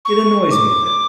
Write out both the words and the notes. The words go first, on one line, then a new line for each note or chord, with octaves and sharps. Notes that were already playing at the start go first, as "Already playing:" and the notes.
It annoys me a bit.
C#6
D6